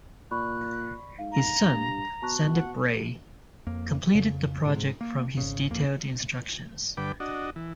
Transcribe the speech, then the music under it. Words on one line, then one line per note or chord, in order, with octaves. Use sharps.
His son, Sandip Ray, completed the project from his detailed instructions.
A#2 D5 B5 C#6 F#6
G#2 F5
A#5
G2
B2 A5 C#6 F#6
F#5
F2 A#3
F2 C#3
G#2 C3 G#3
A#3
G#1 C#3
D#1 F2 A#3
G2 D3 B4 G5 D6
D4 F#4 D#5
E3